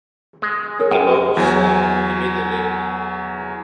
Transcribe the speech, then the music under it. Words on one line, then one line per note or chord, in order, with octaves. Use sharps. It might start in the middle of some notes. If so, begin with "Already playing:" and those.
The bow sank immediately.
G#3
G#4 A#4 C#5
F#2 G5
E2 F#3 G#5